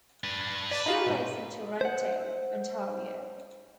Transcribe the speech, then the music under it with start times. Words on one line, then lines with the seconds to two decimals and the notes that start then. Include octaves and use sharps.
She lives in Toronto, Ontario.
0.24 D4 B4
0.71 B4 D5 A5 A6
0.86 D#4 F4 F#4
1.06 G#2 B2
1.81 C5 F#5